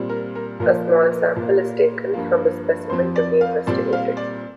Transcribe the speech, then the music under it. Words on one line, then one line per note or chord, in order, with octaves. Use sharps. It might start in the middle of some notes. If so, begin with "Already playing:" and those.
A small sample is taken from the specimen to be investigated.
Already playing: A#2 G3 C4
A#4
A#4
A#2 F3 A#3 A#4
A#4
A#2
A#3
G2 F3 A#3
F2 F3 C4 C5
D5
F5
A#2 G3 C4 D5
F5
D5